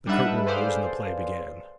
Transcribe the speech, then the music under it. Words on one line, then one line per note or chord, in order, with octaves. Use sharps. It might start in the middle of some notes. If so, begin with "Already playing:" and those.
The curtain rose and the play began.
G3 D4 D#4 B4 E5 F#5
G#4 A4 B4 C5 D5 F5